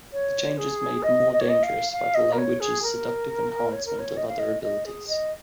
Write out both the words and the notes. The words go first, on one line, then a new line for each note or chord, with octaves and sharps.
The change is made more dangerous by the language's seductive enhancement of other abilities.
C#5
G#4
D#5
D#5
C#5
D#5
F5
F5
D#5
A#4
C#5
G#4
A#4
C#5
A#4
C#5
D#5
F5
D#5
D#5
G#4
D#5